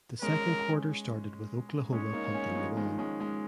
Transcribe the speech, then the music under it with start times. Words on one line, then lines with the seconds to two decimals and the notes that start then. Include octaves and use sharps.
The second quarter started with Oklahoma punting the ball.
0.22 G#3 C#4 A#4
1.93 G#3 C#4 C#5
2.13 A#3 D#4
2.34 G#3 C#4
2.49 F3
2.56 D#3 G#3
2.77 D#3 G#3
2.98 G#3 C#4
3.20 G#3 C#4